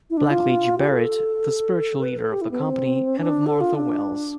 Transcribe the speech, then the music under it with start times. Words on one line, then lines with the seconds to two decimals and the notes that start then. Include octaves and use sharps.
Blackleach Burritt, the spiritual leader of the company, and of Martha Welles.
0.10 E4
0.17 D4
0.31 F4
0.78 G4
0.88 A4
2.03 B4
2.18 A4
2.32 G4
2.41 E4
2.51 B3
2.60 C4
3.17 D4
3.46 A4
3.61 F4
3.75 D4